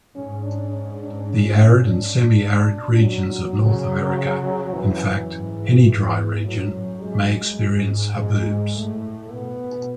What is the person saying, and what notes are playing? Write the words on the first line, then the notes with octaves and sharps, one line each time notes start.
The arid and semiarid regions of North America-in fact, any dry region-may experience haboobs.
G#2 C#4
D4
C#4
D4
C#4
D4
B2
F#3
C#3
F#2 E3
G#2
A2 F#3
F#2
G#3
G#2
G#3
A2 A3
B2 B3